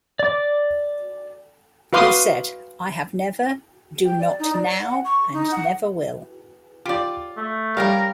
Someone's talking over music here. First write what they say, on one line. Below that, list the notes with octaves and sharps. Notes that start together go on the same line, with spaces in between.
He said: I have never, do not now, and never will.
D5 D6
F#4 B4 F5 C6 D6 D#6
G5
D5
D#4
D5
F#5
C#6
D#4
F#5
F4 G4 D5
A3
G3 A#3 C#4 A#4 F5